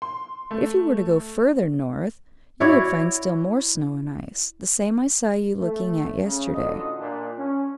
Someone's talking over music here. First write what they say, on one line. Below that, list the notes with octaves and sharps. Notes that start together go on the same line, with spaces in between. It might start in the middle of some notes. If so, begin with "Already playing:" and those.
If you were to go farther north, you would find still more snow and ice, the same I saw you looking at yesterday.
C6
A3
E4 F#4 C#5 D5
A3
C#3
A1 D3 F4 F#4 D#5
A#2 D4
C#4